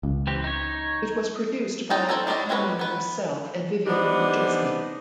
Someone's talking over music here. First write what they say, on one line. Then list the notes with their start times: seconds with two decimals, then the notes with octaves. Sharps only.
It was produced by Caymmi herself and Vivian Kuczynski.
0.03 C#2
0.27 E3 C4 G4
0.44 D#4 C#5
1.90 D#4 F4 D#5 G5 A5
2.09 C4 C#4 A4 A#5
2.27 F#3 G3 D4 D5 D#5
2.49 C4 C#4 F#4 A4 B4
2.79 B3 B4
3.87 E3 G3 B3 D4 D#4 C5